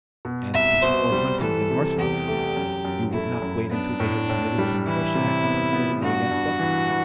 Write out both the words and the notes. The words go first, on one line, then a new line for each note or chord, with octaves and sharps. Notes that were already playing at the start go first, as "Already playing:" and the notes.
"And before hunting them mercilessly, you would not wait until they had committed some fresh act of hostility against us?"
B2
C2 E5
B2 C5
G3
E3 A4
C3
E2 G4
A3
F#2
F#2
A3 E4
F#2
B3 D4
A2
A2
G3
E3 E4
C3
B3
B3
G2 F#4
G2
E3
E3